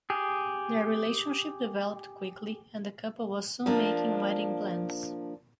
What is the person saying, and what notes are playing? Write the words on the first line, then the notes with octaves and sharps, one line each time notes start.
Their relationship developed quickly, and the couple was soon making wedding plans.
G4 G#4
F3 A#3 D4